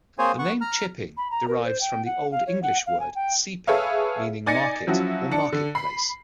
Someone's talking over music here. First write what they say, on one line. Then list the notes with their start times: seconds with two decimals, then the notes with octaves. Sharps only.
The name, "Chipping" derives from the Old English word "cieping" meaning 'market' or 'market-place'.
0.19 A#3 C4 G#4 C5 C#5 G#5
0.39 B3 F#5 C#6
0.61 A#5 F6
1.17 B5
1.31 A#5
1.48 A#4
1.64 C5
1.81 G5
2.05 F#5
2.32 F5
2.47 C#5
2.63 F#5
2.86 F5
3.00 G#5
3.15 G5
3.67 G#4 A4 B4 C#5 E5 F5
4.46 D#4 D5 G#5 A6 A#6 C#7
4.87 F3 F#3 C#4 E4 F#4
5.31 D4 C#7
5.53 D3
5.75 B5 C7